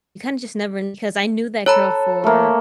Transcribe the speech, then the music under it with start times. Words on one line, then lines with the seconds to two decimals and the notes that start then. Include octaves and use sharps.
kinda just never kn 'Cause I knew that girl for
1.66 A4 C#5 A#5 B5
2.24 A3 A#3